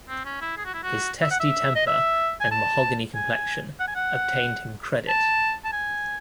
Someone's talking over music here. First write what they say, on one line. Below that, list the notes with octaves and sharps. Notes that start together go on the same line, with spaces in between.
His testy temper and mahogany complexion obtained him credit.
C4
C#4
E4
G#4
F#4
E4
F#4
E5
F#5
E5
D#5
E5
G#5
A5
G#5
F#5
G#5
F#5
A5
A5
G#5